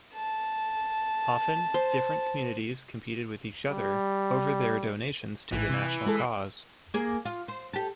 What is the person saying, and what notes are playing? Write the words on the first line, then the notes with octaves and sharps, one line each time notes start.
Often, different communities competed with each other over their donations to the national cause.
A5
C5
G3
A1 A2 E3
C3
G#3 G#4 A4
A#3 G#4
F4
C5
G4 A4